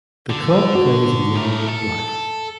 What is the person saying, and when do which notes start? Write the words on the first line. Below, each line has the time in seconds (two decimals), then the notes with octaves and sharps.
The club plays in yellow and black.
0.30 D3
0.75 F#4
1.36 A3 A#4
1.69 A4